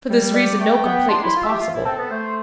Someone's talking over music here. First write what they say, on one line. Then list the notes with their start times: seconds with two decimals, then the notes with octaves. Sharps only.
For this reason no complaint was possible.
0.09 G3
0.34 D5
0.59 A3 G5
0.84 B3
1.09 D4 C6
1.22 E4 C6
1.35 F4
1.43 G4 E5
1.60 F4
1.73 E4
1.85 C4 A4
1.98 B3
2.10 A3 C5